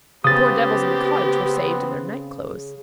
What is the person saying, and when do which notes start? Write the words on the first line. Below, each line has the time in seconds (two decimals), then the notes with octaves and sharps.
The poor devils in the cottage were saved in their night clothes.
0.24 C#3 B3 C4 G4 D#6 A6